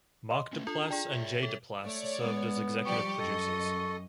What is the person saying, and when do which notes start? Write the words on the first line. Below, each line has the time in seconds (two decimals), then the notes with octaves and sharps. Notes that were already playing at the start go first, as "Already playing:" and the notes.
Mark Duplass and Jay Duplass served as executive producers.
0.31 D#5 C6
0.53 A3 C#4
0.67 D4 F4 A4
0.91 F4 G#4 D5 G5
1.12 C#5 E5
1.43 A4
1.83 A3 C#5 D5
2.20 G#3 B3
2.85 F3 G3 G4 D5 C#6
3.18 F#2 A4 D#5